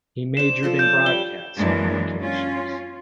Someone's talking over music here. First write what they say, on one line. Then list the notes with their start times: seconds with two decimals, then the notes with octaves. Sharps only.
He majored in broadcast communications.
0.37 D4 C5 E7
0.63 F3 A4 C5
0.79 C#4 D5 G6
1.06 G3 G7
1.56 F#2 E3 G#3 A#3 D4
2.20 C#4 F4